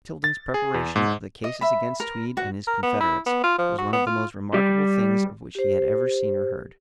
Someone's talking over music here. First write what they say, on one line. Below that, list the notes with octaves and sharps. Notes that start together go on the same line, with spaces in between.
Tilden's preparation of the cases against Tweed and his confederates was one of the most remarkable things of which he had ever seen or heard.
A6
G#4
E2
G#2
D#5
E5 B5
A#4
F#4 F#5
A#4
B3
E4
B3
F4
F3
F#4
B3
F4
G3
G4 C5